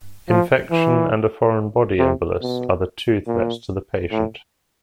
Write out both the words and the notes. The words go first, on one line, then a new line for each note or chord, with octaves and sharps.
Infection, and a foreign body embolus are the two threats to the patient.
F3
E3
C3
B2
A#2
A2